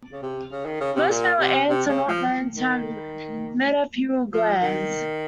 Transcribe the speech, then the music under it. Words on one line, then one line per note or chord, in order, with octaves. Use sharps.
Most male ants are not known to have metapleural glands.
C#3
C3
C#3
D#3
C#3
C3
A#2
C3
C3
C#3
F3
D#3
F3
D#3